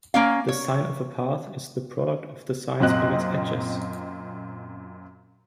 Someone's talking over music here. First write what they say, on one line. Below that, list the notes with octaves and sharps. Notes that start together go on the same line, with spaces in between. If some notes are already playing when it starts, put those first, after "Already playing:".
The sign of a path is the product of the signs of its edges.
A#3 C#4 F5
C#5
F#2 A#2 C4 D#5 F#6